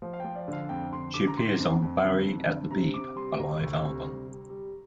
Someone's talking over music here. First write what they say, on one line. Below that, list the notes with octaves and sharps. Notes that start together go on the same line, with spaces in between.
She appears on "Bowie at the Beeb", a live album.
F3
F5
F3 G5
D5
D3 F5
F2 G5
D3 C6
D3 D6
A#5
D3 C6
F2
F2
D3
F2
D3
C3 A#5
C3 D6
G3 C6
D2 A#5
D2
C3
G3
G3
G3